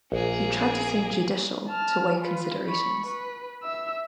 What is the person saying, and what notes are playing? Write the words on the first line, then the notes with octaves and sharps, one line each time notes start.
He tried to seem judicial, to weigh considerations.
A#1 A#3 G#4
A5 F6
F4 B4
B5 C#6
B4
E5 E6